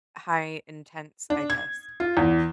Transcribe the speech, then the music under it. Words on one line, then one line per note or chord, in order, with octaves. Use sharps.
high intense, I guess.
D4
G#6
F4
E2